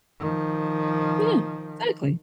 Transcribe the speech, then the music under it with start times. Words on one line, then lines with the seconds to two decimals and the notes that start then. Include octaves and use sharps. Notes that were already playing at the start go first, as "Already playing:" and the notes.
Yeah, exactly.
0.19 D#3 F3